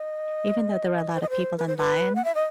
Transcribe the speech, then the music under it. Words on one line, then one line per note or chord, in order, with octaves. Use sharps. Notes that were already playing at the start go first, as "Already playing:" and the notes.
even though there were a lot of people in line,
Already playing: D#5
C5
D#5
C5
B4
C5
B4
F#5
E5
D#5